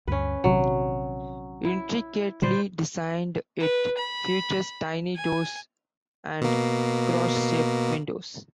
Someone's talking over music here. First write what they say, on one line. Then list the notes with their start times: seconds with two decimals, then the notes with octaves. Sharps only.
Intricately designed, it features tiny doors and cross-shaped windows.
0.08 D2 G2 C#4 B4
0.44 A#1 C3 D#3 F#3
1.65 E4
2.42 A#2 D3 G3 B4 C5 D5
3.60 B4
3.98 B5
5.16 G#5
6.41 B2 A#3